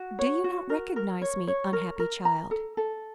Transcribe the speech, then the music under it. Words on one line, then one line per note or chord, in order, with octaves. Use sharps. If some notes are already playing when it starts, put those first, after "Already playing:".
"Do you not recognize me, unhappy child?"
Already playing: F#4
C#5
F#4
A#4
A#4
C#5
C#5
A#4
A#4
A#5
A4
A4